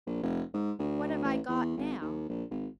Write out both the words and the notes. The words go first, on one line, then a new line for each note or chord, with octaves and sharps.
What have I got now?
A#1
F1
G#2
D2
A1
E2
G#1
D#2
A#1
G#1